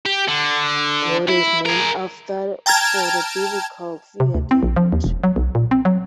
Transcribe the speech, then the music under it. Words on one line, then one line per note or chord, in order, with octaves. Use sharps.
Daud is named for the biblical figure David.
G4
D3
E4
G#4 A#4
G5 A5 A#5 F6 G#6
C3
D2
C4
A#1
F3
D#2
E1
F#3
B1
A#2
C4
F#3